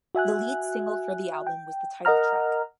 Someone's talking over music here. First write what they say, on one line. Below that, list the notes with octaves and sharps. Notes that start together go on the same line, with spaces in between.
The lead single for the album was the title track.
F#4 E5 G#5 F#6
G5
A#4 D#5 F#5 A#5 F6